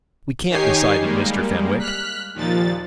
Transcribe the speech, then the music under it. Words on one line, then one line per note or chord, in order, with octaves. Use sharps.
"We can't," decided Mr. Fenwick.
D#3 D#4 G4 C#5 G#5 C7
G3 G#3 A#3
F6 F#6 B6
D#2 A#2 F3 A6